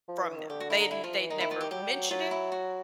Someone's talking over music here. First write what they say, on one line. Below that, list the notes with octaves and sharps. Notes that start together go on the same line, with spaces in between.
from them. They'd n they'd never mentioned it,
F3
E3
D#3
D3 G4
F#4
E4
D#4
E4
F3 F4
E3
D#3 D#4
E4
F4
G4
F#3 G4
G3
F#3
F#3 F4
E4
F#4